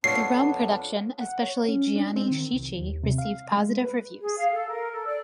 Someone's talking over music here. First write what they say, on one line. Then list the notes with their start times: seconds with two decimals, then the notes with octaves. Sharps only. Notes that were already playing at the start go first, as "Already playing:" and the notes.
The Rome production, especially "Gianni Schicchi", received positive reviews.
0.04 F2 B3 D4 F4 A4 C#5 C7
1.21 F#5
1.42 C#5
1.69 C#4
1.96 D4
2.16 C4
2.31 D#3
2.53 C2
2.77 D#2
3.03 C3
3.18 F5
3.53 G#3
3.78 B4
4.19 G#4
4.38 F5
4.52 A4
4.68 A#4
4.90 A4
5.05 D5